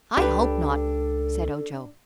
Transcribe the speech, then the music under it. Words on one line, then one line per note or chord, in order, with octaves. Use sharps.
"I hope not," said Ojo.
C#2 D4 G4 A4 B4